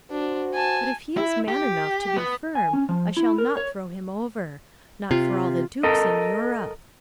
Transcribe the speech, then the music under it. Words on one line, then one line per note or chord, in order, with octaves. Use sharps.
But if he is man enough to be firm I shall not throw him over,--not for all the dukes in Europe.
D4 F#4 C5
G#5 A5
E4
G4
B3
G#5
C#4
F3
E4
A#4
C#5
C3 F4
A4 A#4 D#5